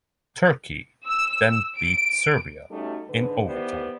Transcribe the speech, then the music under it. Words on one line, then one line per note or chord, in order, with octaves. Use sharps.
Turkey then beat Serbia in overtime.
E6
D7
G3 A3 C#4 D#4 F#4 A4
G#2 D3 B4
D#3 E3 B3 G4 C5 D5